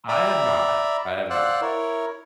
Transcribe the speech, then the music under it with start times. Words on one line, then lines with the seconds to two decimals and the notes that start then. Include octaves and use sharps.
I have not. I have not.
0.08 D5 E5 A#5 B5
1.30 C5 D5 F5 F#5 E6 F#6
1.62 E4 A#4 C#5